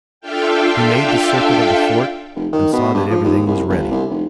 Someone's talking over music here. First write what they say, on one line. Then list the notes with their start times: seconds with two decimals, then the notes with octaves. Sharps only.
He made the circuit of the fort and saw that everything was ready.
0.21 D4 F4 A4 E5 F5 G5
2.35 F1
2.53 D#3
2.73 B2
2.94 G2
3.10 F3
3.24 D#2
3.46 C2
3.69 G1
3.91 C2
4.10 F1